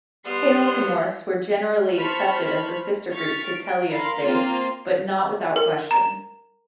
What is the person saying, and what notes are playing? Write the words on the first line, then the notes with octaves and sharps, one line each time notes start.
Halecomorphs were generally accepted as the sister group to Teleostei but not without question.
G3 B3 C6 F6 G6
C5 A5 B5 C#6 F6 B6
C#6 F6 A6 B6
D7
A#4 F5 B5 C6
A#3 C4 F4 C6 F6
A#4
A#5